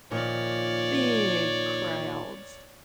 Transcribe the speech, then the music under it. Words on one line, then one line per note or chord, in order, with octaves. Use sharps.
big crowds.
A#2 D#3 F3 C#5 D5